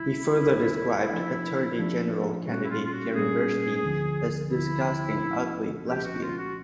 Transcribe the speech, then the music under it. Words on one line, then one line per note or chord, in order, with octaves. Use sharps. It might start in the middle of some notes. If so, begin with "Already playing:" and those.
He further described attorney general candidate Karen Burstein as a "disgusting, ugly lesbian".
Already playing: C2 C3 D#3 G3 E4
C2 C3 D#3 G3
F3 A3 D4
F3 A3 D4
A#2 G3 A#3 C#4 F#4
E4
F4
F4
F#4
A#2 G3 A#3 C#4 G#4
D2 D3 F3
D2 D3 F3 E4
C2 A#2 F3 A3 C#4
C2 A#2 F3 A3 C#4 G4
F#4
F4
F#4